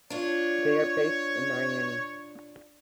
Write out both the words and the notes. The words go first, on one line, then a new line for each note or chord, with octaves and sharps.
They are based in Niamey.
D4 F4 C#5